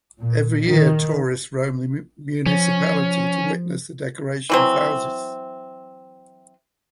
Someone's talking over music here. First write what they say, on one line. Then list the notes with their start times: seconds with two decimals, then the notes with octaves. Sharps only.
Every year, tourists roam the municipality to witness the decoration of houses.
0.21 A#2
0.65 D#3
2.46 F3 C#4
4.50 E3 F#3 C4